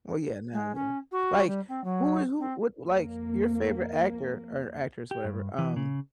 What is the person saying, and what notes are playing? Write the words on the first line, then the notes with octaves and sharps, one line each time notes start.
Oh yeah, now yeah. Like, who is who would like, your favorite actor or actress, whatever, um,
G#3
C#4
F#4
G3
C4
F#3
C4
F2 A#3
G4
G2
E3
C#3